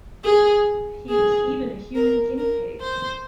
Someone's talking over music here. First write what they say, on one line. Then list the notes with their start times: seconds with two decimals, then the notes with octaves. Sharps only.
He was even a human guinea pig.
0.24 G#4
1.09 G#4
1.95 A#4
2.38 A#4
2.81 C5